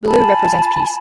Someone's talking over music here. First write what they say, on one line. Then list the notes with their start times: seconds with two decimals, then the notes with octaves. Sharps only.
Blue represents peace.
0.08 F4 G#5 A5 B5